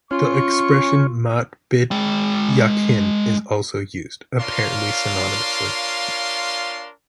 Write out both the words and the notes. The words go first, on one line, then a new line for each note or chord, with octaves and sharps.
The expression "mat Bit Yakin" is also used, apparently synonymously.
C#4 F4 C#6
G#3 G5
D4 F4 A#4 C#5 F5 C6